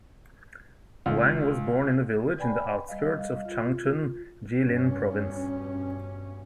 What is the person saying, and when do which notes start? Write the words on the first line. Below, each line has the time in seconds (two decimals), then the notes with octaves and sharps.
Wang was born in a village in the outskirts of Changchun, Jilin Province.
1.06 C#2
2.38 B4 D5 G5 G#5 B5
2.88 G3 D#5 F5
3.45 F4
4.59 G2 B2 C#4